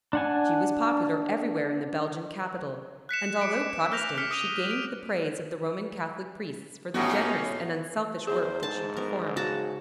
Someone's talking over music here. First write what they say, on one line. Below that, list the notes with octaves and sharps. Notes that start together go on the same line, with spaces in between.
She was popular everywhere in the Belgian capital, and although Protestant, she gained the praise of the Roman Catholic priests for the generous and unselfish work that she performed.
D4 F#5 G#5
F#6 B6 C#7 E7
D6 C#7 D7
F6 G6 A#6 F7
F6 B6 C#7
D#6 B6 D#7 F7 G7
D7 D#7
A2 B3 C#4 D#4 F#4 G4
E2 G#4 C5
G#2 A5
D#3 A3 B3 A#4
C#3 F#4 A5 A#5